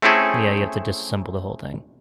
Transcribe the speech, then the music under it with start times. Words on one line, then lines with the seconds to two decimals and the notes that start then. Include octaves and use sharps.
Yeah, you've to disassemble the whole thing.
0.02 A3 C4 C#4 E4 G#4 A4